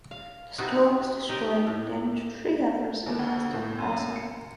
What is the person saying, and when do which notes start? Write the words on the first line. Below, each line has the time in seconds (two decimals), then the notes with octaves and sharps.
The store was destroyed and damaged three others in the West End Plaza.
0.11 F5
0.58 C3 B3 D#4 F#4
1.29 D#4 G4 A#4
1.67 A2
3.06 D#2
3.19 D2
3.53 A2
3.79 F#2
4.16 C#7